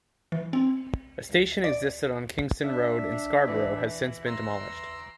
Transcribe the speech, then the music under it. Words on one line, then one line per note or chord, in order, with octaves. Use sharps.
A station existed on Kingston Road in Scarborough has since been demolished.
E3
C4
D5
D4 E5
E3
A#5 C6 E6